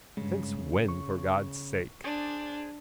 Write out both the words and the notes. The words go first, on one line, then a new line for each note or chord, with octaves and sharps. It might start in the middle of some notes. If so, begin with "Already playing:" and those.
Since when, for God' sake?
G2 C#3 G#3
C#6
D4 G#4 C5 D5